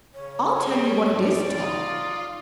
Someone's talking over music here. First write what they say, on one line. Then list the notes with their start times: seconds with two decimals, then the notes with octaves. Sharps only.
"I'll tell you what it is, Tom."
0.14 C#3 C#5
0.63 G3 G#4
1.09 G#2 D5
1.58 D#4 F4